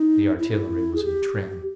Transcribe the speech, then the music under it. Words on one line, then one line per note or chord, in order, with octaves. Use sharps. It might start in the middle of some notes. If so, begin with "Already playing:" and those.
The artillery was in trim.
Already playing: D#4
E4
G#4
G4